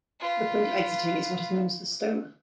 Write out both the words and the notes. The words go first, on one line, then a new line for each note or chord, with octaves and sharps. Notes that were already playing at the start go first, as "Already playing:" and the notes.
The point of exiting is what is known as the stoma.
F4 B4